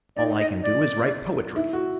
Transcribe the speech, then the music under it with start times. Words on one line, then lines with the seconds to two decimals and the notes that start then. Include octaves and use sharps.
All I can do is write poetry.
0.16 D#4 D5
0.39 D#5
0.63 D5
1.56 E4
1.73 F#4